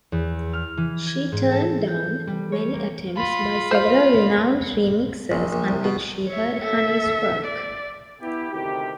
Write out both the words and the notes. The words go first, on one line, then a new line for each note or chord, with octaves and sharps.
She turned down many attempts by several renowned remixers until she heard Hani's work.
E2
F6
E3
G#6
G#2
A4
G6
G3
C#5
A#3
F4 B5
C5 F5
A#1
A#1
C2
B2
C#5 E5
A4 E5
D5
B3 E4 G4
D2 C3 D#3 G4